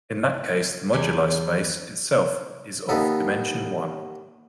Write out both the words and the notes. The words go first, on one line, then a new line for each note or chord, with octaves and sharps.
In that case the moduli space itself is of dimension one.
E2 G4 G#5
D#2 B3 D#4 A4